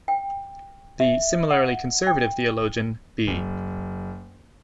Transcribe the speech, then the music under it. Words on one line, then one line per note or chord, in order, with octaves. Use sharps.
The similarly conservative theologian B.
G5
E5
F#5
G5
F#1